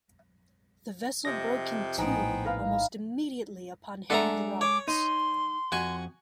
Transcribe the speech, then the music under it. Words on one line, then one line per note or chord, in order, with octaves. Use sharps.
The vessel broke in two almost immediately upon hitting the rocks.
F2 C3 D#5 A#6
A#1 A2 B3 C4 D#4 G#5
A#4 B4 F5
G#3 D4 A4 E5 F#5 A#5
C#5 D6
D#4 C6
F2 F#4 G#5 C#6